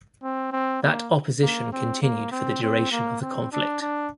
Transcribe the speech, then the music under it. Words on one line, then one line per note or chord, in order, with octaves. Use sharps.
That opposition continued for the duration of the conflict.
C4
C4
A#3
A#3
C4
A#3
C4
C4
A#3
C4
D4
D4